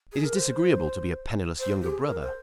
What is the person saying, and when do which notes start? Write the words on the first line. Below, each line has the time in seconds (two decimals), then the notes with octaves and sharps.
It is disagreeable to be a penniless younger brother.
0.13 G#4
0.24 A#4
0.36 C5
1.59 C5
1.82 G4
1.90 G#4
2.06 A#4
2.22 C5